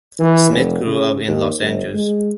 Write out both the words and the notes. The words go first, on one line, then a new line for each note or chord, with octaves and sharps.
Smith grew up in Los Angeles.
E3
F1
C#3
D#2
G1
G#3